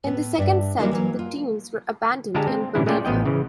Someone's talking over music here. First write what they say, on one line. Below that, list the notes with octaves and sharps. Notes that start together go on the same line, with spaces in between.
In the second set, the teams were abandoned in Bolivia.
A2 B3
G2 D4 E5
F3 G3 G#3 A#3 E4 F#4
E3 F#3 A#3
F4
D3 G#3 G4 F5 A5 A#5
C4
A#2 D3 E3 C#4 E4
G#3 A3 C#4 F4 D5 G5
A1 F3 B3 D#5 G5
C#3 E3